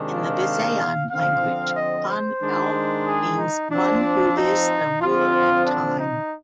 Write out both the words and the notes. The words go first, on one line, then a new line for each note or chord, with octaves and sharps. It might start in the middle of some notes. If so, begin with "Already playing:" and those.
In the Visayan language, Kan-Laon means One Who Is the Ruler Of Time.
Already playing: C3 D#3 G#3 D4
F5
D3 F3 C4 F5
D#5
C5
D#3 G#3 D4
G#4
D#4
F3 C4 D4
D#4
D3 F3 C4 F4
D4
D#4